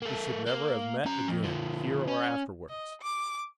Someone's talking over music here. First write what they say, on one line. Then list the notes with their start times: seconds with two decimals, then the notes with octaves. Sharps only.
We should never have met again here or afterwards.
0.02 A#3 A4
0.47 A#3
1.06 C#4 A#5
1.29 F2
1.44 D3 F3
2.08 C#4
2.69 D#5
3.01 D6